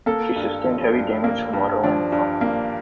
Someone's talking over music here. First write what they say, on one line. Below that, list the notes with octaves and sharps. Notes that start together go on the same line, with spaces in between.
She sustained heavy damage from waterline to funnel.
A#3 A4
G2
F3
G2
A#3
G2
F3 D4
G2
A#3